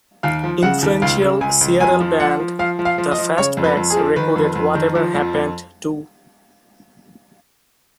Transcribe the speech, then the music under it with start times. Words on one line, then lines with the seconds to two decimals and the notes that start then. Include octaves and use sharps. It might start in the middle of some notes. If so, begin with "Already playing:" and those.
Influential Seattle band The Fastbacks recorded Whatever Happened To...?
0.23 D#2 F5
0.43 F3
0.63 C#3 F#5
0.83 D#2
1.02 C#2 F5
1.21 C#3
1.41 C#2 G#5
1.61 C#2
1.80 F2 G#5
2.00 F3
2.20 F3 F#5
2.40 F3
2.59 F3 F5
2.79 F3
2.85 F5
2.98 F3
3.11 D#5
3.18 F3
3.38 C#3 C#5
3.57 F2
3.64 B4
3.77 F2
3.90 G#4
3.97 F3
4.16 D#3 B4
4.36 F2
4.55 F2
4.75 D#3
4.95 F3
5.15 F2
5.34 F2